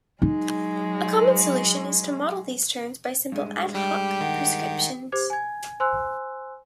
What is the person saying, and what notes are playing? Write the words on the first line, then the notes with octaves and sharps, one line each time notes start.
A common solution is to model these terms by simple "ad hoc" prescriptions.
F#3 G#3 D#4
G2 G#3
G3 G4
D#3 F#5
G4 C5 D6 G#6
G#5 G#6
C5 G#5 C6 E6 F#6